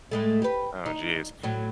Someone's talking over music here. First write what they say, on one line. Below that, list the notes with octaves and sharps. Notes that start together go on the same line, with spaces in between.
Oh, jeez.
A2 G#3 A3
G4 B4
D#4
A2 F#3